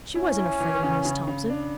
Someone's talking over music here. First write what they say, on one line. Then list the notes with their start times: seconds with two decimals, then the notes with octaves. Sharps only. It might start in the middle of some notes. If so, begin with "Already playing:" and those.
She wasn't afraid of Miss Thompson.
0.15 C#4 E4
0.38 E4
0.60 E3
0.83 C#3
1.05 C#3
1.27 C#3
1.50 D4